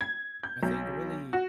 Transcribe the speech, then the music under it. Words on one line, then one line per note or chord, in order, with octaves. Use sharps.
I think really,
G#6
G6
B1
F#4